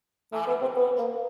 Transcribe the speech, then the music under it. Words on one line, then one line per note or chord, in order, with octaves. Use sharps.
out of the country.
A3
B3
C4
B3
A#3